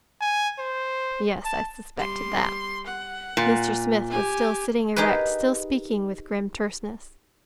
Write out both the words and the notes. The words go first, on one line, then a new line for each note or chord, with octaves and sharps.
"Yes, I suspected that." Mr. Smith was still sitting erect, still speaking with grim terseness.
G#5
C5
A5
G3 C6
F#5
A#2
G4 G#5
D#4 G4 G#4 A#4 B4